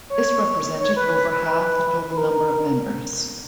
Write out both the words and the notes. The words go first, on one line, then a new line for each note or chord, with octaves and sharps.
This represented over half the total number of members.
C#5
C#5
B4
B4
B4
B4
B4
A#4